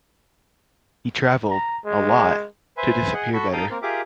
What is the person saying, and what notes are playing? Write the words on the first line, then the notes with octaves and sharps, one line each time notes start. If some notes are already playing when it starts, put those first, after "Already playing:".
He travelled, a lot, to disappear better.
A#5
G#3
B4 C5 E5 G#5
G#4 D#5 F#5
F#4 A4 B5 C#6
D#4 A4 F5 G5 A#5 D#6
A#3 C4 A#4
F4 G4 G#4 A#4 E5 D6